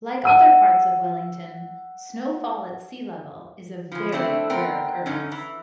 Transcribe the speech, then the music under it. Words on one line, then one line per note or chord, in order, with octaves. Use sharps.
Like other parts of Wellington, snowfall at sea level is a very rare occurrence.
F#5 E6 D#7
E3 F3
A3 C4 D4 E4
B3 C4 A#4 G5
F#2 D3 C#4 D#4
E3